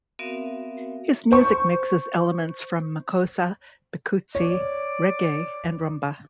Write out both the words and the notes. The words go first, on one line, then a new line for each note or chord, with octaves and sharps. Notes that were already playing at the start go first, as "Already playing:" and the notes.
His music mixes elements from makossa, bikutsi, reggae and rumba.
B3 C4 F#4 A#4 E5 F5
C5 C#6
C#5 D5